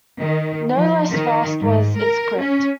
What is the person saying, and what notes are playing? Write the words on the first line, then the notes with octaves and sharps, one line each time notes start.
No less vast was its crypt.
D#3
F3
D#3
G#2
A#4
C#4